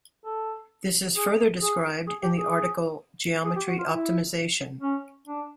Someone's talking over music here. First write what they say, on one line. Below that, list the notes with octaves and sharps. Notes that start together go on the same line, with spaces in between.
This is further described in the article geometry optimization.
A4
G#4
G#4
G#4
G4
G#4
G#4
G4
F#4
F4
E4
C#4
D4